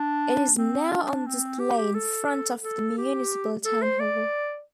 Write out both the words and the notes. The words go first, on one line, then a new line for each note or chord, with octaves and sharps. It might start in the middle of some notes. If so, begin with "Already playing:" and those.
It is now on display in front of the Municipal Town Hall.
Already playing: D4
C4
D4
C4
G4
G4
A4
A4
G4
A4
C5
D5